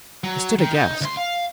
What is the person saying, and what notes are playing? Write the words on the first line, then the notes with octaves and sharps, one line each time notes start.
I stood aghast.
F#3
D#3
D#4
D2 C6
F5